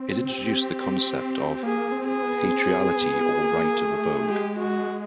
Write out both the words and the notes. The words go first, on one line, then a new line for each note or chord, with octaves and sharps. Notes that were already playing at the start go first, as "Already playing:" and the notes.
It introduced the concept of "patriality or right of abode".
Already playing: C4
G4
A#3 G#4
C4
G#4
B3
C4
B3
A#3
A3
G#3 G4
F#4